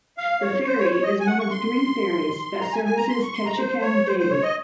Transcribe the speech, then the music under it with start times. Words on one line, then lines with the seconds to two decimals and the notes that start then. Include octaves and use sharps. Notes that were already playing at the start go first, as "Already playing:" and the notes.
The ferry is one of three ferries that services Ketchikan daily.
0.18 F5
0.42 C#5
0.67 C5
0.79 C#5
0.85 C5
0.91 C#5
1.03 D#5
1.20 G#5
1.26 F#5
1.39 C#6
1.51 C6
2.61 A#5
2.73 G#5
2.85 G#5
2.97 A#5
3.09 C6
3.22 C#6
3.34 C6
3.46 A#5
3.58 C5
3.82 C#5
4.06 C5
4.19 C5
4.31 C#5
4.43 D#5